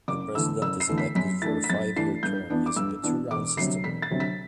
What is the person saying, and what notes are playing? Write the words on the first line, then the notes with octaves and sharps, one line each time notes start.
The President is elected for a five-year term using the two-round system.
F#1 D6
E2 D3 A3 E6
F#1 E6
C7
E2 D3 A3
B6
F#2 B6
E3 A3 D4 A6
B6
F#2 A6
E3 A3 D4 C7
G2 G6
E3 B3 D4
D6
G2 E6
E3 B3 D4
E1 D6
D2 C3 F#3 C7
E1 B6
A6
D2 C3 F#3
B6